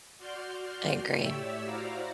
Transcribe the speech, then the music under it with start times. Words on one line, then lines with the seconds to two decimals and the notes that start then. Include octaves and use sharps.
I agree.
0.18 F#4 D5 C6 F6 G6
1.16 A2 G4 C#5 D5 E5 E6
1.64 E4 F#4 C5 D5 F5 A#5